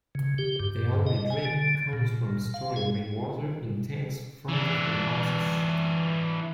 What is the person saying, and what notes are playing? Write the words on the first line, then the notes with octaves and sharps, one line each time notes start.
Their only drink comes from storing rain water in tanks front of their houses.
C#3
G4
G2
D#5
G#5
D3
A#2
F5
G#4
E3 D4